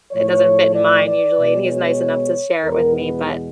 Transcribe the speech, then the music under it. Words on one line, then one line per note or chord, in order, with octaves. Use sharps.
it doesn't fit in mine, usually, and he's nice enough to share it with me, but
A2 F3 A3 C#5
D5
D5
B2 G#3 B3
C#5
E2 B2 G#3 B3 A#4
B4